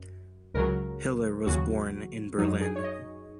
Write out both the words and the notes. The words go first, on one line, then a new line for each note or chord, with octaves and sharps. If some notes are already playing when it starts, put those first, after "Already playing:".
Hiller was born in Berlin.
Already playing: F#2
C#2 C#3 F#3 A#4
D#2 C#3 F#3 F#4
F#2 F#3 D#4
G#4
C#5
D#5